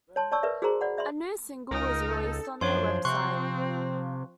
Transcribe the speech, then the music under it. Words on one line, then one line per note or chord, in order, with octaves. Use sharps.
A new single was released on their website.
C#5 A5 C6
C#5 D5 A5 C#6 E6
A#4 B4 D5 E5
F#4 G#4 A#4 C5 A#5 C6
D5 F#5 B5
D5 E5 B5 C6
C#2 D#4 A#4
A4
F#2 F3 D4 C5 C#5 C6
C3 C4 C6 C#6 F#6